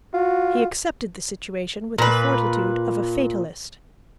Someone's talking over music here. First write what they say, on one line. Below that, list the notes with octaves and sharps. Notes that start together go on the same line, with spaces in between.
He accepted the situation with the fortitude of a fatalist.
F4 F#4
A#2 B4